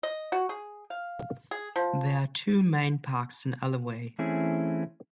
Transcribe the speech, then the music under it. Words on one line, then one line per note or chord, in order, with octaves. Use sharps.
There are two main parks in Alloway.
D#5
F#4
G#4
F5
G#4
F3
E3 A3 C4 C#4 E4 G#4